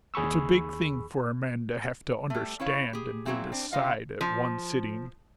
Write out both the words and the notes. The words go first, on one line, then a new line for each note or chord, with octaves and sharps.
It's a big thing for a man to have to understand and to decide at one sitting.
D#2 G#4 B5 C#6 E6
G3 A3
C#4 E4 C#5 F5
G4 G#4
A#2 E3 F#3 C4 E4 G#4
C4 D4
C#3 F4 D#5 F5
F3